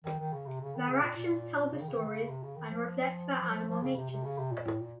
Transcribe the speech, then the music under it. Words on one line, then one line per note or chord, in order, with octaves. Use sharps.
Their actions tell the stories, and reflect their animal natures.
D#3
D#3
C#3
C3
C#3
D#3
C#3
A#2
A#2
C#3
D#3
C#3
D#3
C#3
C3
C#3
D#3
F3
F3
F#3
F3
F3
C#3
C3
C3
C#3
C3
A#2
A2
A#2